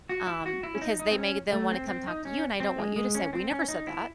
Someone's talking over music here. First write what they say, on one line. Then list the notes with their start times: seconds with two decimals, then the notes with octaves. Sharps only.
um, "because they may they'll wanna come talk to you and I don't want you to say, 'We never said that.'"
0.09 F#4
0.27 E4
0.46 F#4
0.63 E4
0.75 C#4
0.82 D#4
0.99 D#4
1.11 C4
1.18 C#4
1.53 A3
1.72 C4
1.88 C4
2.07 D#4
2.25 C#4
2.60 C4
2.78 G#3
2.96 G#3
3.15 C#4
3.33 C4
3.51 C#4
3.68 D#4
3.87 E4